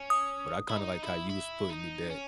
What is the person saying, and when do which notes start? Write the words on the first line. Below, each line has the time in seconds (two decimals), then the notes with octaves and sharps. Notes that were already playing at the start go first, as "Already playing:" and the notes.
But I kinda like how you was putting it that
Already playing: C#4
0.10 D#6
0.69 E4
0.77 D#4
1.03 E4
1.30 E4
1.70 D#4
2.10 C#4